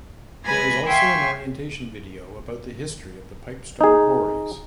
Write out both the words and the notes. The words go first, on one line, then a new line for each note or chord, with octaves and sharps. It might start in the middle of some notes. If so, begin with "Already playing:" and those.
There is also an orientation video about the history of the pipestone quarries.
G#3 B4 G#5 B5 G#6 A#6
E5 F5 G5 G#5 C6 C#6
D#4 G#4